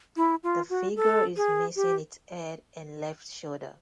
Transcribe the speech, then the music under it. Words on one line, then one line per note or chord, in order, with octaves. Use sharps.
The figure is missing its head and left shoulder.
E4
F4
F#4
A4
G#4
G4